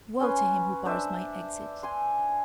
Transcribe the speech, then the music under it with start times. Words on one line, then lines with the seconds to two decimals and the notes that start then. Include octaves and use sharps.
Woe to him who bars my exit!
0.20 C#4 B4 C6
0.85 D4 C5 E5
1.83 G#5 C6